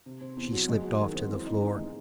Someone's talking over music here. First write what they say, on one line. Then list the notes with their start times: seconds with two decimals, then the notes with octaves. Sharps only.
She slipped off to the floor.
0.06 C3
0.21 C4
0.37 E2
0.52 F#3
0.69 G#3
0.84 F#4
0.99 D#3
1.15 C4
1.31 E3
1.46 D#4
1.62 G#2
1.77 G#3